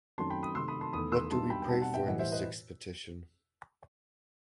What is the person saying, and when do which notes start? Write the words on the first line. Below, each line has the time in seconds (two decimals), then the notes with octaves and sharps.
What do we pray for in the sixth petition?
0.18 F#2 D#3 F#3 A3 C4 A5 C6
0.30 G5 B5
0.43 B5 D#6
0.55 C3 D#3 A3 C6 E6
0.68 B5 D#6
0.81 A5 C6
0.93 E2 D#3 A3 B5 D#6
1.12 C6 E6
1.31 G2 F#3 B3 D#4 A5 C6
1.50 G5 B5
1.62 G5
1.68 B2 G3 C4 D#4 F#5 A5
1.81 F#5 A5
1.94 E5 G5
2.06 A2 E3 G3 D#5 F#5
2.19 C5 E5
2.32 B4 D#5